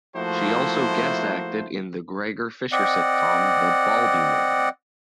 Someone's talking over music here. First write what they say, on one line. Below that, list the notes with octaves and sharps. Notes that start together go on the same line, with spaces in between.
She also guest-acted in the Gregor Fisher sitcom The "Baldy Man".
F3 A3 A#3 E4 F#4 C5
C4 D5 D#5 F#5